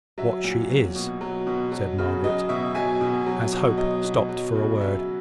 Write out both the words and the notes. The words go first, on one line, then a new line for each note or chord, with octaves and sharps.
"What she is," said Margaret, as Hope stopped for a word.
F#3 E5
A#2
F#3
B2
F#3
B2
F#3
C#3
F#3 D#5
B2 E5
F#3 E5 G#5
B2
F#3
B2
F#3 D#5
B2
F#3
C#3
F#3 E5